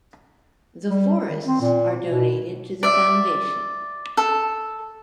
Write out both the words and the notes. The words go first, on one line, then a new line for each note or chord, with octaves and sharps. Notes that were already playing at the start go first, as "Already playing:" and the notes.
The forests are donated to the foundation.
G3
D#3
C4
A#2
B2
D5 E5
A4